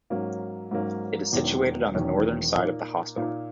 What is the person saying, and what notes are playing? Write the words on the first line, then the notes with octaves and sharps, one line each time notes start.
It is situated on the northern side of the hospital.
G#2 F#3 A#3 C#4
G#2 F#3 A#3 C#4
E1 E2 D#3 F#3 C#4
E1 E2 D#3 F#3 C#4
A#2 A#3 D#4
A#2 A#3 D#4